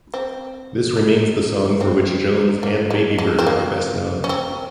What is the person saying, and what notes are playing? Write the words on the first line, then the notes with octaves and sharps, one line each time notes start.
This remains the song for which Jones, and Babybird, are best known.
C4
G#3
C4
A#3
G#3
G#3
C4
A#3
C#4
C4